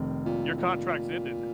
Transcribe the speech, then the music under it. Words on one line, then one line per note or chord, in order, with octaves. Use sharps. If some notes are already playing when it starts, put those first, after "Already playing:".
your contract's ended.
Already playing: F1 D#3 C4
A#2
A#2